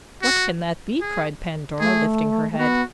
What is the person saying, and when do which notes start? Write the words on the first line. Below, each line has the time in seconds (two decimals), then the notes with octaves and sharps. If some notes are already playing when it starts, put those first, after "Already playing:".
"What can that be?" cried Pandora, lifting her head.
0.22 F#4
1.01 G#4
1.80 A3 G#4
2.52 A3
2.58 B3 F#4